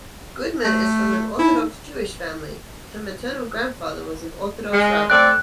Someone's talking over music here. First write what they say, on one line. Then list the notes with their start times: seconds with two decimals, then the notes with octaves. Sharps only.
Goodman is from an Orthodox Jewish family; her maternal grandfather was an Orthodox Rabbi.
0.65 A3
1.39 D#4 E4
4.72 G#3
5.10 A3 C4 D5 F#6